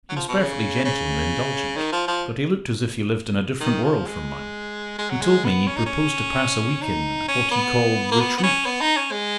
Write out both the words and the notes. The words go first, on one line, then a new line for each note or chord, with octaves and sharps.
He was perfectly gentle and indulgent--but he looked as if he lived in a different world from mine. He told me he proposed to pass a week in, what he called, Retreat.
F#3
F3
B2
C#3
C#3
D#3
F3
F3
D#3
F3
G#3
G#3
F#3
G#3
B3
C#4
D#4
C#4
D#4
C#4
B3
A#3
B3
B3
C#4
B3
D#4
C#4
G#3